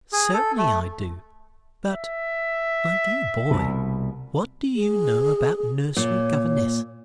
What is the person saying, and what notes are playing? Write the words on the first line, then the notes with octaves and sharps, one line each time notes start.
"Certainly, I do; but, my dear boy, what do you know about nursery governesses?"
G#4
A4
A3
E5
C2 B2
G#4
A#2 C#5